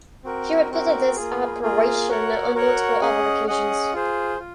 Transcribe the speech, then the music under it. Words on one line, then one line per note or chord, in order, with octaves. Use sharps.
He repeated this "operation" on multiple other occasions.
C4 F#4 A#4
C4 F#4 A#4
A#3 F4 G#4
A#3 F4 G#4
F#4 A#4 C#5 F#5
F#4 A#4 C#5 F#5
C#4 G#4 D#5 F#5
C#4 G#4 D#5 F#5
F4 G#4 C5
F4